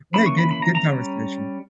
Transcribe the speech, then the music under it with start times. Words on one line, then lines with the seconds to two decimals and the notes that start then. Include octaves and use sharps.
hey, good good conversation.
0.14 E3 A#3 C#4 B5
0.26 C#6
0.38 B5
0.51 B5
0.62 A#5
0.75 A#5
0.86 G3 C#4